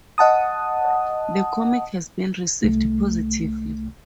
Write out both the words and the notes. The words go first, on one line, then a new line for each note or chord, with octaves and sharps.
The comic has been received positively.
D#5 F#5 A5 D#6
C2 A3